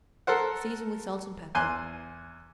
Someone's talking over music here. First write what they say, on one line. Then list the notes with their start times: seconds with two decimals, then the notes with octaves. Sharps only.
Season with salt and pepper.
0.27 A4 A#4 C5 F#5
1.55 E2 G#5 C6 F#6